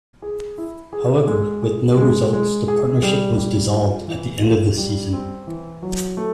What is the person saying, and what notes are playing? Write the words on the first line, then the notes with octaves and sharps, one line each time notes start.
However, with no results, the partnership was dissolved at the end of the season.
G#4
E4
G#4
G#3
G#4
G#3
G#3
G#4
G3
G3
F4
E3
F4
G3
C4
E3
F#3
A3